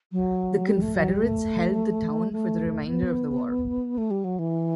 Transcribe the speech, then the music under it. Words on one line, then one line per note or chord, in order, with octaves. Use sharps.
The Confederates held the town for the remainder of the war.
F#3
G3
A3
F#3
G3
A3
A3
B3
A3
G3
F#3
E3